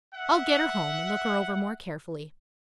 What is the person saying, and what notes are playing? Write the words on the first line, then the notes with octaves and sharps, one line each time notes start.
"I'll get her home and look her over more carefully."
E5 F#5